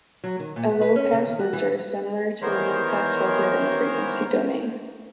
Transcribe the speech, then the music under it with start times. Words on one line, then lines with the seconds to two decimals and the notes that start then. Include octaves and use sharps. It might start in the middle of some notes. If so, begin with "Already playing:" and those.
A low-pass lifter is similar to a low-pass filter in the frequency domain.
0.24 F#3
0.40 D#3
0.56 A#2
0.69 B3
0.81 B4
0.96 C#4
1.12 C#3
1.27 D#3
1.39 F#4
1.53 E3
2.42 D#3 E3 B3 A#4 C5 C#5